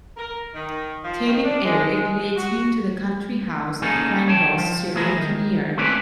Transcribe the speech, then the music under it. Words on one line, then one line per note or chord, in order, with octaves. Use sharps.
Tailing Eric leads him to the country house of crime boss Cyril Kinnear.
A#4
D#3
F3
D#3
D4
G#3
G#3
F#4
A#3 C#4 D#4 G#4 A4
C#5 G5 A5
F3
E3 A3 B3 G#4 A#4
D#3
A3 C4 C#4 E4 B4 D5